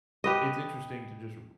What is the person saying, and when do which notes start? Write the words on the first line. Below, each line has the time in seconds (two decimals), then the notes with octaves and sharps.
it's interesting to just r r
0.24 G4 B4 D#5